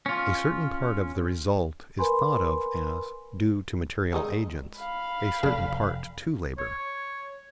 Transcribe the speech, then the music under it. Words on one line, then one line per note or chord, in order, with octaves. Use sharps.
A certain part of the result is thought of as due to material agents, a certain part to labor.
C#4 F4
A#4 B4 G#5 B5 C6
D#3 G#3 D#4
F5 B5
F1 A4 D5
C#5